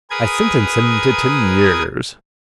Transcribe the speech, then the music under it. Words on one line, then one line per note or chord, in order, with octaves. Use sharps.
I sentenced him to ten years.
G#4 A#4 B4 D#6 G#6